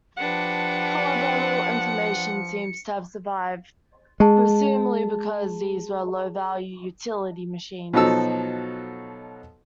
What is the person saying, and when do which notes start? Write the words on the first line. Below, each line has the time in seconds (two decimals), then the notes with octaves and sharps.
However little information seems to have survived, presumably because these were low-value utility machines.
0.17 F3 D4 G4 B4 F#5 C#7
4.20 G#3 G#4 A5
7.93 B2 F3 F#3 D#4 A4 E6